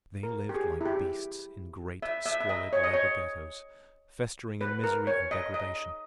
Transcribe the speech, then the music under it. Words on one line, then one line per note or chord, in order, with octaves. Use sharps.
They lived like beasts in great squalid labor-ghettos, festering in misery and degradation.
A#4
G4
G#4
E4
G4
E5
E5
E5
D#5
C#5
D#5
C#5
B4
A#4
C#5
D#5
D#5